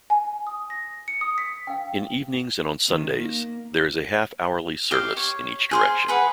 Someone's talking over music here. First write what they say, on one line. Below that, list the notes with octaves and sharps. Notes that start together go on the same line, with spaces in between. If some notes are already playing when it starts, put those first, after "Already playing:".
In evenings and on Sundays there is a half-hourly service in each direction.
G#5
D#6
A#6
C#7
D#6
B6
F5 G5
D#3
A#3
G4 D#5 F5
C#5
G#4 C5 F5
G#4 B4 F#5